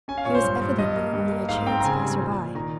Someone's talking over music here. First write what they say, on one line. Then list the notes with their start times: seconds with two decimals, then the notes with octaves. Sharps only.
He was evidently only a chance passer-by.
0.08 C#4 G#5
0.18 F5
0.25 A#2 C#5
0.35 C5
0.44 G2
0.61 G2
0.78 G2 D#5
0.96 A#3
1.13 G2
1.31 A#3
1.49 G#2 F5
1.66 C4 G5
1.80 A#5
1.84 C#3 G#5
2.02 G3
2.20 A#2
2.38 A#2
2.55 D#3 A#5